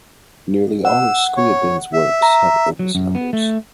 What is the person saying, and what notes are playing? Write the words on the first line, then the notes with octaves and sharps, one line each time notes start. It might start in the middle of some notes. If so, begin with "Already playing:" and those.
Nearly all of Scriabin's works have opus numbers.
F#5 E6
C#5
E5
A#5
F#3
F#2
B3
A3